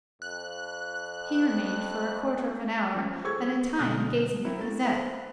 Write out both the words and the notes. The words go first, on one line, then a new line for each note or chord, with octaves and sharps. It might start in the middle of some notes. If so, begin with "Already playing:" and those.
He remained for a quarter of an hour at a time gazing at Cosette.
F2 F#6
F3 C#4
G#4 A4 C5 C#6 E6 G#6
B1 D3 D#6 F6 F#6
C4 E4 A#4
A3 A6
A4 B4 C5 E5 F5